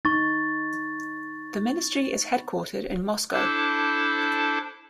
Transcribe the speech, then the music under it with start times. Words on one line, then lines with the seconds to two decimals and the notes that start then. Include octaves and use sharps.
The Ministry is headquartered in Moscow.
0.05 D#4 C#6 A6
3.33 D4 E4 A4 C5 A5 D6